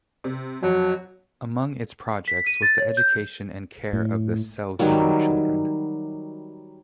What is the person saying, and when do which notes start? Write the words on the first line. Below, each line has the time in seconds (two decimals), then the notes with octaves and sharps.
Among its projects was the education and care of the Selvino children.
0.24 C3
0.63 F2 F#3
2.28 B6
2.46 D#7
2.62 A6
2.78 C#5
2.97 G6
3.93 A2
4.79 D#3 F#3 G3